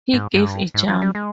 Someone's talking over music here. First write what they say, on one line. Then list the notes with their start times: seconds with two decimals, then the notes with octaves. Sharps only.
He gave a jump.
0.13 G#2
0.34 G2
0.74 G#2
0.88 F3
1.02 G3
1.15 G#3